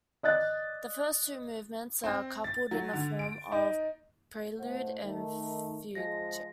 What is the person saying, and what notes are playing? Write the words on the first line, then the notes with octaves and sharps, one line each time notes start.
The first two movements are coupled in a form of prelude and fugue.
D5 D#5 F#6 A6
C4
A6
F#3
D3
D7
D#4
A2 C5 F#5
D#3 A3
F3 G#3 A#6